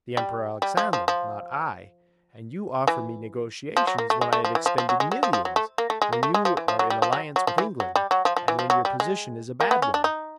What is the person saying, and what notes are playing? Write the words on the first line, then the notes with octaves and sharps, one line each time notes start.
The Emperor Alexander, not I! And you offer me negotiations when I have expended millions, when you are in alliance with England, and when your position is a bad one.
G3
G3
F3
F3
F3
E3
F3
F#3
A#3
A3
G#3
A3
F3
E3
F3
F3
F#3
G#3
F#3
F3
F3
F#3
A3
A#3
A3
G#3
A#3
A3
G#3
F3
E3
F3
F#3
G3
F3
F#3
F#3
F3
E3
F#3
G3
F#3
F3
F3
E3
F3
F#3
G3
G#3
A#3
B3
C#4
D4
D#4